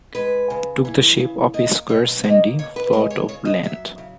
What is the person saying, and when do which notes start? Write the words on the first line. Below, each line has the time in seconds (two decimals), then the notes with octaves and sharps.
Took the shape of a square sandy plot of land.
0.15 G#3 B4
0.50 C#3
0.85 E3
1.19 C#3
1.54 A#3 D#5
1.89 B2 C#5
2.24 A#3 D#5
2.59 B2 C#5
2.76 B4
2.93 G#3 A#4
3.10 C#5
3.28 C#3 C#5
3.45 D#5
3.63 F#3 E5
3.98 C#3